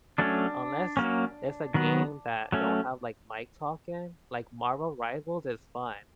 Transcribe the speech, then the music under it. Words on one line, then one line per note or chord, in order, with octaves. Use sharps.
unless it's a game that don't have like mic talking, like Marvel Rivals is fun,
F#3 A3 C#4 D4
F#3 A#3 C#4
D#3 F#3 B3
F#3 A3 C#4